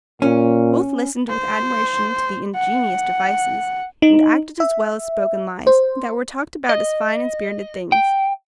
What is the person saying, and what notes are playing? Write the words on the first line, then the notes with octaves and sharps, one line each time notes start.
Both listened with admiration to the ingenious devices, and acted as well as spoken lies, that were talked about as fine and spirited things.
A#2 C#4
C5
F#5
D#4
E5
C5
D#5
G5